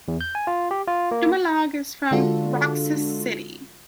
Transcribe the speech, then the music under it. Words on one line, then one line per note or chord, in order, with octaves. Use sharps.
Dumalag is from Roxas City.
E2
G6
G#5
F4
G4
F4
A#3
D3 G#3 D4 F4 F#4 A4